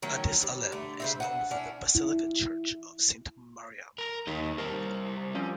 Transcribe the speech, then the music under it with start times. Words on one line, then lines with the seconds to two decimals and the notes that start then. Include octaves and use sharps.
Addis Alem is known for the Basilica Church of Saint Maryam.
0.02 D#3 F#3 A3 C#4
0.43 G3
0.72 D3 A3
1.00 C#3 C5 E5
1.20 F#5 G#5 A5
1.51 C#4 D4 E4 F#5
1.95 E4
3.98 A#4 A#5
4.27 D#2 D#4 G4
4.58 G3 A#4 C5 A5
5.35 F3 G3 C4 C#4